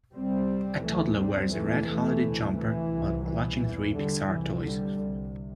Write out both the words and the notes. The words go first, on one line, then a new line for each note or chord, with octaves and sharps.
A toddler wears a red holiday jumper while clutching three Pixar toys.
C2 C3 G3 C4
D2 C3 E3 A3
G3 C4
E2 C3 E3 A3
E3 A3
D2 C3
E3
C2 C3
E3
E2 C3 E3
D3 G3
C2 C3 E3
D3 G3
C2 C3